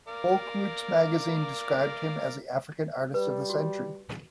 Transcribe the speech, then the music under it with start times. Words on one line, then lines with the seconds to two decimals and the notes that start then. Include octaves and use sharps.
"Folk Roots" magazine described him as the African Artist of the Century.
0.08 A#4 D5 F5
3.14 G3 B4
3.50 F#4